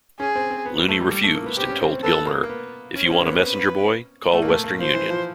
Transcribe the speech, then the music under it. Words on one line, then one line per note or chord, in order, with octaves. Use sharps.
Looney refused and told Gilmer, If you want a messenger boy, call Western Union.
C#4 G#4
C4
C4
B3
A#3
A3
G3
G3
A3
A#3
B3
C4 G4
C#4
C4
C4
B3 A4
A#3
A#3
B3
C#4
C4
C#4
A#3
B3
B4
A3
A#3
A3
A#3
F3 C5
E3
F3